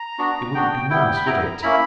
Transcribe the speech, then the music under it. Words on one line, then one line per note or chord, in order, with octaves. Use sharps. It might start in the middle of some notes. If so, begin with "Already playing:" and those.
It wouldn't be nice, would it?
Already playing: A#5
B3 D4 F#4
B3 D4 F#4 G5
G3 B3 E4 G5
B5
G3 B3 E4 A#5
A#3 C#4 E4 B5